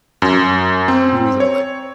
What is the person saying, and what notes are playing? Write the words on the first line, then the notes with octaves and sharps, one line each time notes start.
He was all like
F#2
C4
C#5